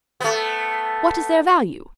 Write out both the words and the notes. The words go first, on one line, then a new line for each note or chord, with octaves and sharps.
"What is their value?"
A3 B3